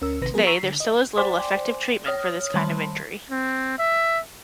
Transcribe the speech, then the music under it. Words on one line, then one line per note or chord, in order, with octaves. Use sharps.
Today, there still is little effective treatment for this kind of injury.
D2 C#4 A#4 E6
A1 C3 D#3 B4 A#6
F#3 B3 G#4 A#4
A#5 C#6 E6 B6 C7
D3
D#5
C5 D5 G5 G#5 C6 D6
C#5 D#6 F6
D#3 G3 A5 B5 C6
C4
E5